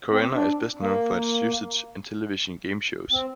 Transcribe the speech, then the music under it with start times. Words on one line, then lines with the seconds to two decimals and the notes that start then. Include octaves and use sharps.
Korinna is best known for its usage in television game shows.
0.13 C4
0.35 D4
0.82 A#3
3.12 C4